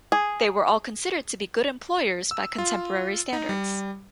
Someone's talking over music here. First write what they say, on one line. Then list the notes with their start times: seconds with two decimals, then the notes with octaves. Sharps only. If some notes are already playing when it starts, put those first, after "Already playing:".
They were all considered to be good employers by contemporary standards.
0.12 G#4
2.31 E6
2.58 F4
3.33 D#4
3.49 G3